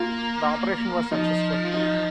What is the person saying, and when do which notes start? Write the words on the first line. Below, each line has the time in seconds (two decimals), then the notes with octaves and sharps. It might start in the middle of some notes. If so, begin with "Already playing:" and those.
The operation was successful.
Already playing: A#3 F4
1.11 F3 D#4
1.64 F4
1.74 D#4